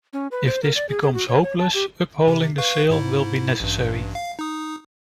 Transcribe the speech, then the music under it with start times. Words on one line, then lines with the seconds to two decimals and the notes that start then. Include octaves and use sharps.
If this becomes hopeless uphauling the sail will be necessary.
0.13 C#4
0.31 B4
0.46 C5
0.63 A#4
0.76 D5
0.89 G#4
1.02 G#4
1.14 F#4
1.28 C#5
1.43 C#5
1.59 A5
1.74 G4
2.28 C3
2.58 B4 F5 C#6
2.90 G#2 E4
3.60 A1 G2
4.15 F5
4.39 D#4 D#6